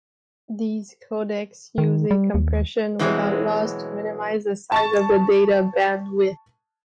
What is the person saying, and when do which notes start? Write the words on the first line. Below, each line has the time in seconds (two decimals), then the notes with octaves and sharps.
These codecs use a compression without loss to minimize the size of the data bandwidth.
1.78 D#3
2.11 G3
2.34 D#2
2.99 B2 E3 F#3 G#3 C4
4.72 A5 C#6 A6